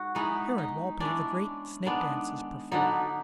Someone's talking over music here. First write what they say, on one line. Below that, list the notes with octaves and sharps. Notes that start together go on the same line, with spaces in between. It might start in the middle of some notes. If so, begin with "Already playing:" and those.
Here at Walpi the great snake dance is performed.
Already playing: G#2 F#4
E3 G#3 B3 D#4
D#4
E3 G#3 C#4 D4
D#3 G#3 B3 D4
D3 F#3 B3 D4 D#4